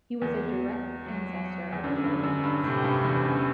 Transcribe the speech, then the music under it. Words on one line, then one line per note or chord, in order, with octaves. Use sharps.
He was a direct ancestor of the Gediminids.
E2 B3
F#3
E2
F#2 D3
G2
F#2
G2
A2 C3
G2
E2
F#2